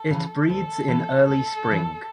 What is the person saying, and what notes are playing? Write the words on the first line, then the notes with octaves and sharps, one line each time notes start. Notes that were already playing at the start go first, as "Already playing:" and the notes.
It breeds in early spring.
Already playing: A4
C#3 E3
D2 A4
C#3 E3
D2 A4
C#3
E3